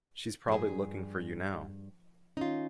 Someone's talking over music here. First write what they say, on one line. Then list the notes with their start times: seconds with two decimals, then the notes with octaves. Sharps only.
She's probably looking for you now.
0.48 G2 F3 G#4
2.37 D#3 C#4 D#4 F4